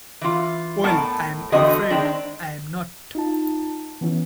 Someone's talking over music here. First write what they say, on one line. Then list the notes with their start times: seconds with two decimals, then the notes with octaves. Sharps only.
Well, I am afraid I am not.
0.21 E3 F4
0.84 A2 B3 A#4 A5
1.52 E2 D3 A3 C4 F#4 D#5
1.90 D#3 G#3 C4 D4
3.15 D#4 F4 A5
4.01 E3 B3 C#4 E4